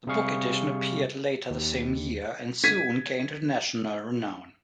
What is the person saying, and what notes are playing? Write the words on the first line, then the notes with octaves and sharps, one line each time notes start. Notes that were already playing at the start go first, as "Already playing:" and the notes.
The book edition appeared later the same year, and soon gained international renown.
C3 G3 G#4 F5 C#6
D#2
G#6 B6 D#7